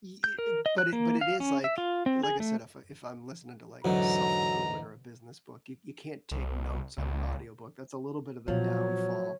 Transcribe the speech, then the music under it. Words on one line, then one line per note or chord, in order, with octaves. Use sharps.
Ye i but it but it is, like, like I said, if I if I'm listening to, like, self-improvement or a business book, you you can't take notes on an audiobook. That's a little bit of a downfall.
G6
A#4
D#5
F#6
A#3
F5
C#4
E5
F4
C4
G#4
A3
E2 G#2 D3 F#3 A#5
C2
C#2
A#2 F3 F#3 B3 C#5